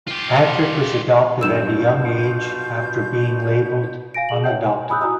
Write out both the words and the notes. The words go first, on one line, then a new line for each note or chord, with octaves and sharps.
Patrick was adopted at a young age after being labeled "unadoptable".
F4 G4
B1 G2 B2 D#3 F4 E6 G6 E7
F5 G#5 A#6 D7
G#4 F#7
C#5 E5 F#5 G5 G6
G#5
G#5 B5 D#6 E6 F#6 G6
E4 F#4 G#5 A#5 D#6 E6